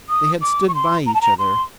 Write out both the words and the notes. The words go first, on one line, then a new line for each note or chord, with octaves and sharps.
They had stood by each other.
D#6
D6
C#6
C6
A#5
A5
A#5
C6